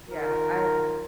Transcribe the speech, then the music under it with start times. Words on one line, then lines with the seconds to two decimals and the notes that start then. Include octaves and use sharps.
Yeah. I
0.10 D#3 F4 A#4